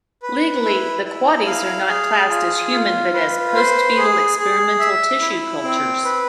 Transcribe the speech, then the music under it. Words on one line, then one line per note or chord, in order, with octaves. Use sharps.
Legally, the Quaddies are not classed as human but as "post-fetal experimental tissue cultures".
B4
E4
E4
F5
G#4
F4
F4
B4
C5
G#4
G#4
E5
E4
C4
B4